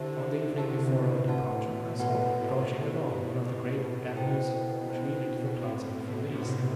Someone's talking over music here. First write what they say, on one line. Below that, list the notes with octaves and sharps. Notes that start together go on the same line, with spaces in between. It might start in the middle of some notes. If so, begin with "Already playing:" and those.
On the evening before our departure I saw them approaching along one of the great avenues which lead into the plaza from the east.
Already playing: D3 E4 G4 C5 E5 A5
D3
C3 E4 G4 C5 E5 A5
A2
A2 F#4 B4 F#5 A5
B2
B2 F#4 B4 F#5 A5
B2
A3 E4 G4
A2 A3 E4 G4
B2
E4 A4 C5 G5
E4 A4 C5 G5
A2 A3 C4 F#4
B2
C3 A3 C4 F#4